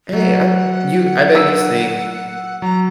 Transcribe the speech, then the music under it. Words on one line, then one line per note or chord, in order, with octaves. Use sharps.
Hey, I'm you I bet you sing
F#3 F#5
E6
F#3 A#5